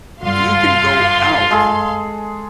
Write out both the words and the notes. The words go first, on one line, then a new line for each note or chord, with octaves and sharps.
You can go out
F#1 G2 D3 F4 F5 C6
G#3 G#4 A4